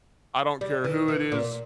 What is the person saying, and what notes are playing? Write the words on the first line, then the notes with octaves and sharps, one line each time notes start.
I don't care who it is,
G3
E3
E3
A#2